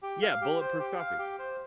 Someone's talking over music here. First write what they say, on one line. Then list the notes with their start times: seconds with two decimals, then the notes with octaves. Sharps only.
Yeah, bulletproof coffee.
0.03 G4
0.22 F5
0.41 G4
0.60 C5
0.80 G4
1.00 F5
1.19 G4
1.39 C5